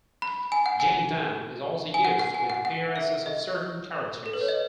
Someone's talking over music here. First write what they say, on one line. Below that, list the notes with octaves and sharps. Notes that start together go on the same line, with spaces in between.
"Jangdan" is also used with the appearances of certain characters.
B5
G#5
F#5
G#5
G#5
F#5
F#5
G#5
F#5
F#5
E5
D#5
A4
B4
C#5
D#5